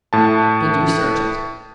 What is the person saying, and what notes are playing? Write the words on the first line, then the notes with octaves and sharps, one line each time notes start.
"Did you search it?"
A2 A5